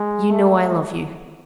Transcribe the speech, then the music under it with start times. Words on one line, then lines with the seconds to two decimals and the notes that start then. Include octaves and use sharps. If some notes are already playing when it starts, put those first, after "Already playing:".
"You know I love you."
Already playing: G#3
0.30 A3